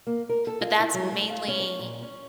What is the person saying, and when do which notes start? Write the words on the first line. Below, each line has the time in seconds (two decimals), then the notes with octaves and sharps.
But that's mainly,
0.07 A#3
0.29 A#4
0.47 A4
0.61 F4
0.80 E4
0.94 F#3
1.12 A3
1.30 F5
1.48 C#4
1.60 C#5
1.79 A#2
2.02 C#4